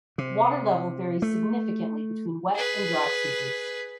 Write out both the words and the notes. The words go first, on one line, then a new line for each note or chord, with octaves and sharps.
Water level varies significantly between wet and dry seasons.
C3
A3
G#4 B4